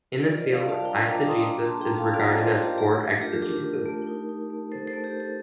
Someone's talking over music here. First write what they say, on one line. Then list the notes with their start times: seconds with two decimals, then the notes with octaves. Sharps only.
In this field, eisegesis is regarded as poor exegesis.
0.20 F4 A#4 D5
0.36 C5 D#5
0.42 F4
0.52 D5 F5
0.63 G3
0.69 F5 A5
0.85 D4 G5 A#5
1.06 F4 A#5 D6
1.18 D6
1.27 D4 C6 D#6
1.49 A#3 A#5 D6
1.65 A5 C6
1.71 F4
1.81 G5 A#5
1.92 F4
1.98 F5 A5
2.14 F4 D5 F5
2.30 C5 D#5
2.35 F4
2.46 A4 C5
2.57 F4
2.62 G4 A#4
2.78 A3 G4
3.00 D4 A4
3.21 F4 G4 A#4
3.42 D4 G4 A#4
3.64 D4
3.86 A3
4.07 D#4
4.29 D#4
4.50 A3
4.71 A3 A4 C5
4.87 A4 C5
4.94 A3
5.04 G4
5.15 A3
5.20 A4